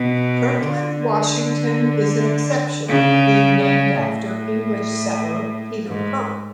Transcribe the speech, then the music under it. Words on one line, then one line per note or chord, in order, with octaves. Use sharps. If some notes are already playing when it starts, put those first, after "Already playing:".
Kirkland, Washington is an exception, being named after English settler Peter Kirk.
Already playing: B2
D3
C#3
C#3
A2
G#2